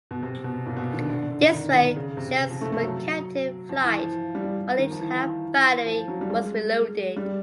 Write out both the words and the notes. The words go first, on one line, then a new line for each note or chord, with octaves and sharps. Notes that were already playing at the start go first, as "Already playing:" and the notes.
This way, shells were kept in flight while each half-battery was reloaded.
B2
C3
B2
A#2
B2
D#3
D3
D3
D3
D#3
D#3
C#3
C3
F3
A3
A3
F#3
F3
E3
F3
G3
D#3
F3
E3
F3
F#3
G3
G#3
G3